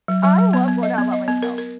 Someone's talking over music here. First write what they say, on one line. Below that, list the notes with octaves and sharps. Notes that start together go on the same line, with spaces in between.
I love going out by myself.
F#3
F#3
F#3
B3
B3
D#5
B3
D#5
B3
A#4
A#4